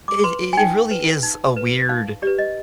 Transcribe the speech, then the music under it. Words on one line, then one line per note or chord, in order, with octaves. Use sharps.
it i it really is a weird
D6
B4 C6
G#5
D#4 G5
B4
D#4
B4
D#4 F5
G4 B4 D5
D#5